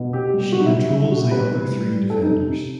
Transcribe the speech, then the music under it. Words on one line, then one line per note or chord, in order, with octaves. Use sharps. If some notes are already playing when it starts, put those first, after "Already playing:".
She controls the other three defenders.
Already playing: B2
C3 G4
G4
G3
G4
F#3 F#4
D#4
E4
F#3
G4
G3 E4
E4
G3 F#4
G4
C3 B4
E3
G3
G3
G3 A4
D#4
C3
C3